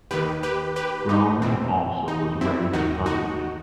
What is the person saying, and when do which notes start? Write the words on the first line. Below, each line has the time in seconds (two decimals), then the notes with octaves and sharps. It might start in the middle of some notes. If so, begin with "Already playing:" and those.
Groen also was ready to publish.
0.11 D#2 D#3 G4 B4
0.43 G4 B4
0.76 G4 B4
1.09 D#4
1.42 E2 B2 C4
2.08 D#4
2.41 C4 E4
2.73 D#2 D#3 D#4 F#4
3.06 D#4 F#4